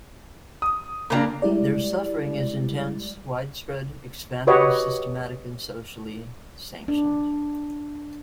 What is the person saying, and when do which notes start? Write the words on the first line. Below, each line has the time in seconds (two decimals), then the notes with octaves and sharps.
Their suffering is intense, widespread, expanding, systematic and socially sanctioned.
0.62 D#6
1.10 C#3 A#3 D4 A#4 A#5
1.42 G3 G#3 E4 G4 D5
4.47 F#4 G4 B4 C#5 D#5 F#5
6.88 D4